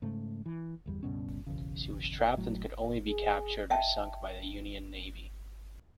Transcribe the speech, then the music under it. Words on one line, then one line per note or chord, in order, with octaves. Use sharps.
She was trapped and could only be captured or sunk by the Union Navy.
G#2 C#3 A3
E3
G1 E2 G3
C#2 G2 B2 C#4
B1 E2 C#3
A2 F#3
G#4
D#5 E5 G5 A5